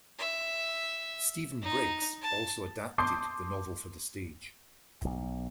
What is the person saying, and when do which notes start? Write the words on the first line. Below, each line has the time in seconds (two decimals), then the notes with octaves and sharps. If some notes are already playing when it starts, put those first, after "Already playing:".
Stephen Briggs also adapted the novel for the stage.
0.19 E5
1.62 D#4
2.22 A5
2.98 A5 C6 D6 D#6 G6 C7
5.05 B1